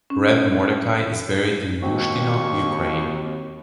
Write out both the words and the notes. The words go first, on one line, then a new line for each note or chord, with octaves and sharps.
Reb Mordechai is berried in Bushtyno, Ukraine.
C#4
D#2 C4 F#4 C#6